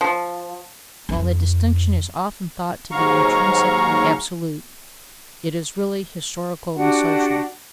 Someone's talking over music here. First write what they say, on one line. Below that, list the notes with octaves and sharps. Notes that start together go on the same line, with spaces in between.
While the distinction is often thought to be intrinsic and absolute, it is really historical and social.
F3
F2
D#2 G#2 F#3 F5 A#5 C#6
D4 F#4 G4 F#5